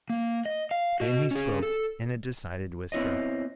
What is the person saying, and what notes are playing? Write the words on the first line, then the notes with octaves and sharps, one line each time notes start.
Then he spoke in a decided whisper.
A#3
D#5
F5
F#4 D#5
C#4 G#4
A4
B3 C4 E4 C#5 D#5